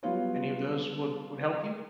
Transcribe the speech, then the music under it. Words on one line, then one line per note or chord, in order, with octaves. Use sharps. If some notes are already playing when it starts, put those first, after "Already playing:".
any of those would would help you?
F#3 G3 B3 F4 C#5